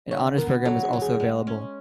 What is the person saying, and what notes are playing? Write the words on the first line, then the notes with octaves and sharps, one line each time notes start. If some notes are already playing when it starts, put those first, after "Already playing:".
An Honors Program is also available.
D3 C#5
B3 A#4
F#3 A4
G#4
F#3
G#4
G#3
C#4